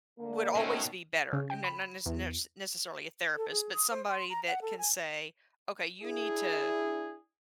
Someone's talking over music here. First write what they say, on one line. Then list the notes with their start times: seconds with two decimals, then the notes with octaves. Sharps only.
would always be better. N n nes nurse necessarily a therapist, but somebody that can say, "Okay, you need to eh,
0.19 D3 A#3
0.55 B2 D#3 F#3 A3 C4 C#4
1.33 C#3
1.50 G5
1.64 B5
2.06 E2
3.37 A4
3.50 G#4
3.73 D#6
3.91 C5
4.09 C6
4.30 A#5
4.47 F#5
4.62 A4
4.78 G#5
6.02 D4 E4 G#4